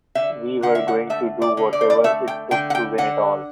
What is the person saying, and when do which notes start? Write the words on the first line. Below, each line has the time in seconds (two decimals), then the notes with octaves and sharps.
We were going to do whatever it took to win it all.
0.15 D3 E5
0.62 D3 F#5
0.75 E5
0.88 F#5
1.10 A3 E5
1.42 D5
1.57 D3
1.73 D5
1.81 C5
1.90 D5
2.04 A3 E5
2.28 G5
2.51 D3 G5
2.70 F#5
2.75 G5
2.98 D3 F#5